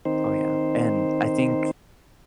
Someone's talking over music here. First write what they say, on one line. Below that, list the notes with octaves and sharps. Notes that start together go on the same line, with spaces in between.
Oh, yeah, and I think,
D#3 C4 D#4 C5